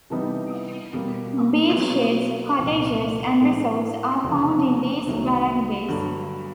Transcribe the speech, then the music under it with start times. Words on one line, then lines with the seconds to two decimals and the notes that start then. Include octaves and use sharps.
Beach shades, cottages and resorts are found in these barangays.
0.10 C3 E3 G3 B3 D#4
0.93 B2 G3 A#3
1.75 B2 F#3 B3 E4 G#4
2.59 C2 A#2 F3
3.41 A2 E3 G#3 C4
4.23 F1 E2 C#3 F3
5.07 C2 C3 D#3 F#3 A3
5.88 G2 D3 F#3